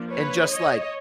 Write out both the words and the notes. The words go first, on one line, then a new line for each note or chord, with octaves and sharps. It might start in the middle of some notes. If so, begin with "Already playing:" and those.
and just, like,
Already playing: F3 A#3 D4
B4 C#5
C#5 D#5